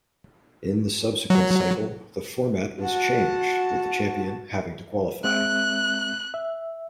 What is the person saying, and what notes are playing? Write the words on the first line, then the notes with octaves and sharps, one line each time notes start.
In the subsequent cycle, the format was changed, with the champion having to qualify.
F#3
F#4 F#5 A5
G#3 C4 E5 F#6
E5